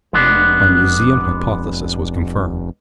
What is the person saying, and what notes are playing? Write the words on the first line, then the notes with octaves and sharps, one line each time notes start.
My museum hypothesis was confirmed.
F1 G#3 B3 D4